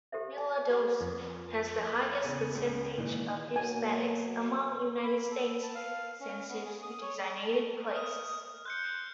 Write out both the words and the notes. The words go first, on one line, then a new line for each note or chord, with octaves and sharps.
Mila Doce has the highest percentage of Hispanics among United States census-designated places.
G4 A4 C5 E5
G#5
G4 B4 F#5 C#6 E6
F2
E2 C#3 D#7
C#2
A#2 D#3 E3 G#3
B2 F#3 A#3 G#5
B5
A4
A5
F5
C#4
B3
G#4
D#6
C#5
G#4
A5
D#6 F6
C6 F#6 G6 C#7